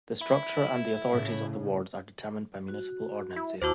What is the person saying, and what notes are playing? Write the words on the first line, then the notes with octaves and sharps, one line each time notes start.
The structure and the authorities of the wards are determined by municipal ordinances.
E4
A2 C#3
F#4
E4
D#2 E4 F#4 C5 A5 D6